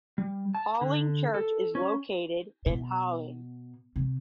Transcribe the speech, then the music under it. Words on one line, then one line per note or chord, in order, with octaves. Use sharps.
Halling Church is located in Halling.
G3
A5
D3
A4
C#4
B2
C3